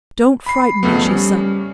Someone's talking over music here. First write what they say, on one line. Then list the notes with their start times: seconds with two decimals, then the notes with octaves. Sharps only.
"Don't frighten me," she said.
0.46 B5 C7
0.83 F2 C#3 A3 B3
1.02 G3 C#4